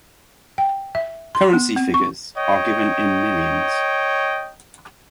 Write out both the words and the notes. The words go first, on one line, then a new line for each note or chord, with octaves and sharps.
Currency figures are given in millions.
G5
E5
C6
B3
C4
C#6
C#5 D#5 G5